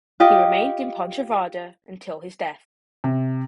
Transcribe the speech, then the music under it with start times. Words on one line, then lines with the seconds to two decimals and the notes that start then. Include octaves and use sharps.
He remained in Pontevedra until his death.
0.20 F4 G4 D#5 G5
3.04 C3